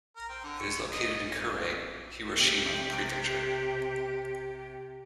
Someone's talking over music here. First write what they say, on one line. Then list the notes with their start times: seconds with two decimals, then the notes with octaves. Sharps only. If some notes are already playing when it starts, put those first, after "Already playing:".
It is located in Kure, Hiroshima prefecture.
0.16 A#4
0.29 C4
0.44 D3
0.60 C#6
0.91 D#5
1.25 C#4
2.33 C3 G4